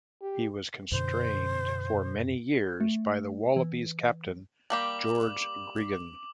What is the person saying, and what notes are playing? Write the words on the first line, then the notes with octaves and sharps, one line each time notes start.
He was constrained for many years, by the Wallabies captain, George Gregan.
G4
F#2 B2 D3 C5
A3
E3
G3 A#3 G4 D6 F#7